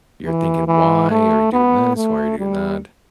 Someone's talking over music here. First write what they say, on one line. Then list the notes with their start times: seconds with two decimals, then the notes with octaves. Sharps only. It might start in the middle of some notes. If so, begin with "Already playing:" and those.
you're thinking, "Why are you doing this? Why are you doing that?"
0.25 E3
0.68 E3
1.11 A3
1.53 B3
1.96 A3
2.39 G3